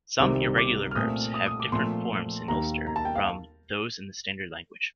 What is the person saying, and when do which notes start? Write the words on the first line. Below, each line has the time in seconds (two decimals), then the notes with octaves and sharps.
Some irregular verbs have different forms in Ulster from those in the standard language.
0.20 C2 C3 D#3 G3 C4 D6
0.58 D6
0.91 F6
0.95 A#2 A3 C4 D#6
1.34 D#6
1.46 D#6
1.60 D6
1.72 A#2 F3 A3 C4 C6
2.48 D#2 D#3 A#3 A#5
2.87 A#5
2.96 A5
3.05 G5
3.15 F5